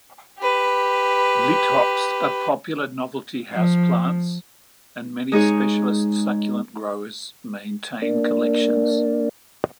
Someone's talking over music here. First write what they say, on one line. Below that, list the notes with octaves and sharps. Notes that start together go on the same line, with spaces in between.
"Lithops" are popular novelty house plants and many specialist succulent growers maintain collections.
G4 B4
F3
G#3 D#4 G#4 C#5
A#3 D4